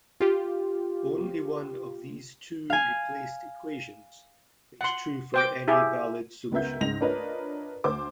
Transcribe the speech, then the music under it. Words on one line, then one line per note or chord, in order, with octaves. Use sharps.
Only one of these two replaced equations is true for any valid solution.
F4 G4
F5 G#5
F#5 C6
C5 G5 D6
E4 G4 G#4
C#2 B3 A#4 E5 G6
C#2 G#2 D#4 A#6 F7
D4 F4 A#4 B4 C#5 D#5
D2 C5 D6